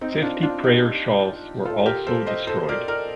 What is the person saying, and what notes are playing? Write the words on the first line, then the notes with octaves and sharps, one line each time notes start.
Fifty prayer shawls were also destroyed.
C4 D#4
D#4
D4 F4
D4 F4
D#4 G4
F4 A4
G4 A#4
A4 C5
C5 D#5
A4 C5
A#4 D5
A#4 D5